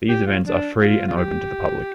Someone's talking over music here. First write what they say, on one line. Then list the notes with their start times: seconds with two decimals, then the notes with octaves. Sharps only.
These events are free and open to the public.
0.09 G4
0.27 F4
0.46 D4
0.81 F4
1.08 F4
1.17 G4